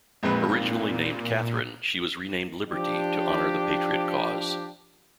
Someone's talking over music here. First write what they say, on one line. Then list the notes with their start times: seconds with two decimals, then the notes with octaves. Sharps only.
Originally named Katherine, she was renamed "Liberty" to honor the patriot cause.
0.23 A#1 F2 A#2 G#3 C4 D#4 B4
2.71 F3 D4 G4